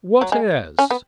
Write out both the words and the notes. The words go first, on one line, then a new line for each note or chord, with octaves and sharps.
"What as?"
F#3
G#3
C#4
B3